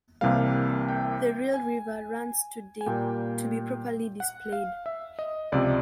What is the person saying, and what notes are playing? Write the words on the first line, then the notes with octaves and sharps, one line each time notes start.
The real river runs too deep to be properly displayed.
C2 C3 E3 G3 A#3 F5
G5
G#5
G#5
A#2 G3 A#3 G5
F#5
F5
E5
D#5
C#2 C3 F3 D5